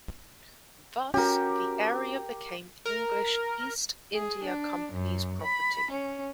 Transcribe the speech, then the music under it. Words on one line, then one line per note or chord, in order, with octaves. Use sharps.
Thus, the area became English east India Company's property.
C#4 F#4 G4 A#4
A#4
G#4
D4
F#2
B5
C#4